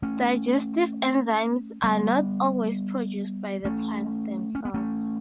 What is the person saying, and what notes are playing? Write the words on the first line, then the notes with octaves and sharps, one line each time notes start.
Digestive enzymes are not always produced by the plants themselves.
A3 C#4
G3 B3
A3 C#4
C#4
B3
A3 C#4